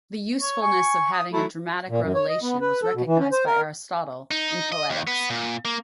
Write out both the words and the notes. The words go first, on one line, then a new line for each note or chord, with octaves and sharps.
The usefulness of having a dramatic revelation was recognized by Aristotle, in "Poetics".
C#5
G#5 C#6
D#6
F#3 A3 E4
A#2
F#2
C#5
D#5
B3
B4
A4
B2
E3
C#4
C5
A#4
D#4
D#5
D#2
B3
A#2
A#3